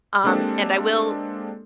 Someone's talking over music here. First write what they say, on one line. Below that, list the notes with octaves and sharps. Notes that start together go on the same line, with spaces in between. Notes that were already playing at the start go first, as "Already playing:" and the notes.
um, and I will
G#3 A#3 C4 D4 G4 A4